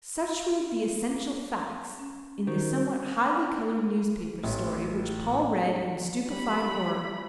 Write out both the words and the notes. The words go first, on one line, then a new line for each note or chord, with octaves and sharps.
Such were the essential facts in the somewhat highly coloured newspaper story which Paul read in stupefied horror.
C#4
D#3 F#4 C5 C#6
A1
G3 B5